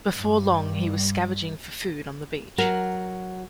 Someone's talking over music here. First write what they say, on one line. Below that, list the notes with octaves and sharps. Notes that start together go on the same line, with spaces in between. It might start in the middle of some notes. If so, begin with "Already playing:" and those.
Before long he was scavenging for food on the beach.
G2 G3
F#3 F#4 A#4 F#5